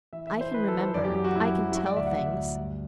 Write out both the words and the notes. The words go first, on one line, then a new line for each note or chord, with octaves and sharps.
I can remember; I can tell things!
E3 E5
E5
E3
C5
E3 B4
A4
E3
C5
F#2 D5
G4
F#3 G4
F#4
F#3 E4
F#3
E4
F#3 F#4
D5
D2 E5
F#5
D2 E5
D2
G2